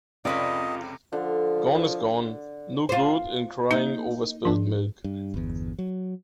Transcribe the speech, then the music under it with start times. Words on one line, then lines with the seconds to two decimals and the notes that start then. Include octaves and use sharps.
Gone is gone. No good in crying over spilt milk.
0.25 F1 C#2 C3 C#4 F4 B4 D5 D#5
1.13 D3 F3
2.89 F4 C5
3.71 A#3 D#4
4.45 G#2 F3 D4
5.04 G2
5.34 G1 E2
5.79 F#3